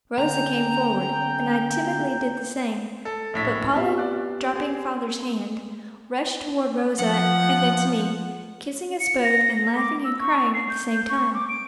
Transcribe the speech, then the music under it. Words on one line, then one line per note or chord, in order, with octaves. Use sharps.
Rosa came forward, and I timidly did the same; but Paula dropping father's hand, rushed toward Rosa and then to me, kissing us both and laughing and crying at the same time.
D3 B3 C#4 G5 A#5
A4
A#1 A2 B6
B3 C4 G4 E5 F5
D5 F#6
G#4
F3 F#5
C#7
A#6
D6
E6
C#6
C7
G6
C#6
D6
D7